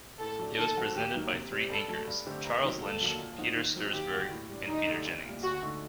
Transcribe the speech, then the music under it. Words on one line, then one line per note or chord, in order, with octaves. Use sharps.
It was presented by three anchors: Charles Lynch, Peter Stursberg and Peter Jennings.
A2 A4
F#3 A3 D4
D#3 A4
F#3 C4 F#4 A4
D#2 G4
D#3 F#3 A#3
C3
G3 C4 G4
G2 A4
F#3 A3
G2
D3 A3 C4 G4
C2 A#4
C3 D#3 F#3
D#2 A4
D3 F#3 A#3 F#4
A#2
F#3 C4 D#4 F#4
D#3
F#3 C4 D#4
D#2 G4
D3 G3 D4 F#4
A2
G3 D4
D2 D#4
D3 A3 D4 G4
C2
A#2 G3
D2 F#4
D3 A3 D#4 F#4